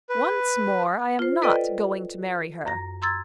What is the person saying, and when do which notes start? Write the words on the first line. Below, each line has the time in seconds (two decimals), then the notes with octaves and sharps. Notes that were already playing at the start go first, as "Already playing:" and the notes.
"Once more, I am not going to marry her."
0.10 B4
1.19 F4 C5
1.42 A4 B4 D5 D#5 G5
2.66 F#2 A#5 A#6
3.02 A#5 C6 E6 G#6 A6